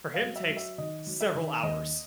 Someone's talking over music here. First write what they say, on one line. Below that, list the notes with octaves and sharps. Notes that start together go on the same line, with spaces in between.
for him takes several hours.
F5
F#3
E5
F#3
E5
D#3 D#5
F#3
E5
D#3
D#2 D#5